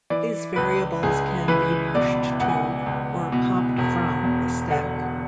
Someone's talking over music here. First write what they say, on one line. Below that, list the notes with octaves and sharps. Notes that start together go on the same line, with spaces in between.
These variables can be pushed to or popped from the stack.
E3 D5
C#2 B4
C#2 G#4
E3 B4
B2 D5
C#2 F#5
G#5
F#5
C#2
B2
E1
E2
D3 F#5